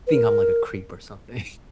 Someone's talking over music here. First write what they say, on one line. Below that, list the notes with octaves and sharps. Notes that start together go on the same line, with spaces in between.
think I'm like a creep or something.
B4
A#4